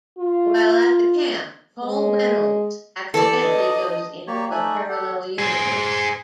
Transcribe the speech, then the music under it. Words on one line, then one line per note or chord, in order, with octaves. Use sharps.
While at the camp, Paul Reynolds accidentally goes into a parallel universe.
F4
G#3
E3 G4 A4 D5 A5
D4 D#5
A#3 G4 C#5 D5
A3 D#4 D5 E5 G#5 F#6
G4 A4 F#5
G#4 C5